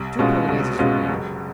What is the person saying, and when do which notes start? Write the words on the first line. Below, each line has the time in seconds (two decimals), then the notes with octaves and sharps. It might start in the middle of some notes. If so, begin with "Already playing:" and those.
Two Polonaises remain.
Already playing: C2
0.19 B2 G#3 C#4 F4
0.48 C2
0.79 B2 G#3 C#4 F4
1.09 F#1